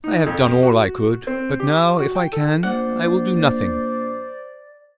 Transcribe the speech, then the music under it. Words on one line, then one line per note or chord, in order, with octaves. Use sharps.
"I have done all I could, but now, if I can, I will do nothing."
D#4
F2
F#4
C4
G4
F#4
G5
A4
A#1 C5 D5 F#5